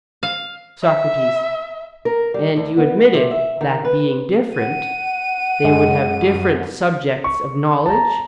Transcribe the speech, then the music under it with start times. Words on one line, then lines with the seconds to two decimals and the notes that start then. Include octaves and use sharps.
SOCRATES: And you admitted that being different they would have different subjects of knowledge?
0.23 F5
0.82 E5
2.05 A#4
2.34 G3
2.56 D2
2.77 B3
3.14 C3
3.31 E5
3.61 D#3
3.85 B4
4.58 F#5 D#7
5.64 F#2 G#3
7.24 C#6
7.86 A5 A#5